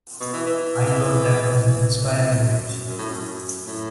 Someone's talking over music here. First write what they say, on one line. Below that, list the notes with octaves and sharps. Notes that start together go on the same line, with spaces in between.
I thought that was an inspiring image.
B2
E3
E3
E3
E3
D3
B2
A2
A2
F#2
F#2
A2
F#2
A2